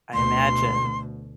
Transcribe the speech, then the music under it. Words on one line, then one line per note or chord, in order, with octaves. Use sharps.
I imagine
D2 B2 C6